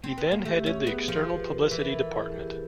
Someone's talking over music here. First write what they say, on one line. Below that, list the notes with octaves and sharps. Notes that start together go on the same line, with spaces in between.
He then headed the External Publicity Department.
C4
B3
A#3
A3 G4
C#4
G#4
B3
F3 A4
B4
A#4
E3 B4
A#4
A4
A4
G#4
G4